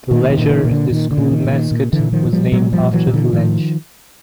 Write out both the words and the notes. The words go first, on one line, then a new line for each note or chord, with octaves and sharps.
The Ledger, the school mascot, was named after The Ledge.
A#2 D#3
D#3
A#2
D#3
A#2
D3
A#2 D#3
D3
A#2
D#3
A#2
D#3
A#2
D3 E3
A#2
D#3 F3
A#2
F3 G3
A#2 F#3 G#3
F3 G3
A#2
E3 F#3
A#2
D3 E3
A2 D#3 F3